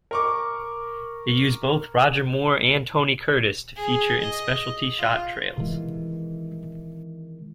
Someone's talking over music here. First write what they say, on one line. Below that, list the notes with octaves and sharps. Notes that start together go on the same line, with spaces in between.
It used both Roger Moore and Tony Curtis to feature in specialty shot trails.
A#4 C#6 D6
G#4
D#5
F4
C3 D#3 E3 G#3